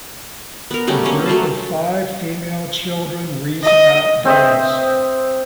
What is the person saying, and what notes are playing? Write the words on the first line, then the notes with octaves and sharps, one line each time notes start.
A group of five female children reason outdoors.
B3 A#4
F#3 G3 A3 C#4
A#3 C#4
F#3 A3 C5 A5
D#5
C4 C5 D#5 E5